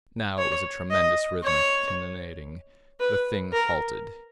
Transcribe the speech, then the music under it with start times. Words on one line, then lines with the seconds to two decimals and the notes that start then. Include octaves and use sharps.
Now it was a tremendous rhythmic cannonading. The Thing halted.
0.38 C#5
0.90 D#5
1.43 C#5
3.00 B4
3.53 A#4